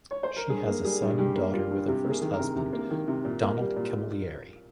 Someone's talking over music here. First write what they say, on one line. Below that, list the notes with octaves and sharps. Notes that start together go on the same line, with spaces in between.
She has a son and daughter with her first husband, Donald Camillieri.
C#5
C5
A#4
G2 G#4
A#3
G3 G#4
G2
G2 G4
A#3
G3 F4
G2
C3 G4
A#3
G#4
D#3
A#4
C3
C3
A#3
D#3
C3
A#2
A#3
G3
A#2